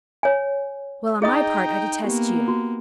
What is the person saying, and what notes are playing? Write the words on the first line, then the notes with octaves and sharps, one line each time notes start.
"Well, on my part, I detest you."
C#5 G#5
D#4 G#4 D#5 G5 D#6
A#3 B3 G4
F#4